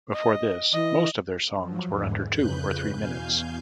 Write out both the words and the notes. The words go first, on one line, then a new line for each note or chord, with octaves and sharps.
Before this, most of their songs were under two or three minutes.
D#5
E3 D#5
F3 F#3
E2 G#2 D3 E3
F2 C#3 B4 F#6 G6
E2 B2 F5 G#5 G6